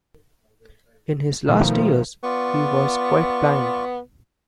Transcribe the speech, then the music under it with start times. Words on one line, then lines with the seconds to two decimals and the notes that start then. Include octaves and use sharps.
In his last years he was quite blind.
1.45 B2 D#3 F3 A3
2.23 B3 F4 D5 C#6